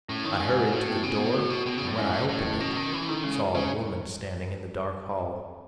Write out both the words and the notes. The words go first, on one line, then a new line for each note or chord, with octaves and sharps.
I hurried to the door and when I opened it saw a woman standing in the dark hall.
A2 C#4
D#3 C#5
G#2 C#5
E5
A2 F#4
B3
C#3 B3
B2 B3
A2 F#4
B2 F#4
B2 B3
C#3
A2 F#3
G#2 C#4
A2 A4
A2 C#4
D#5
B2 C#4
D#3 C#4
E3 E4
D#3 A4
C#3 G#3
G#3
C#3 G#3